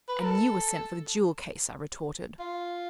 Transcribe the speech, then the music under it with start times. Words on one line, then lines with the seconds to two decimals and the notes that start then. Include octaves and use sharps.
'And you were sent for the jewel-case,' I retorted.
0.08 B4
0.21 A#4
0.25 A4
2.40 F4